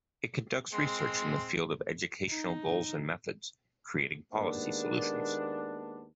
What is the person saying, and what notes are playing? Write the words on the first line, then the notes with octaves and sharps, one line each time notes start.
It conducts research in the field of educational goals and methods, creating policy solutions.
G#3 C4
D#4
D#2 G#3 A#3 B3 D4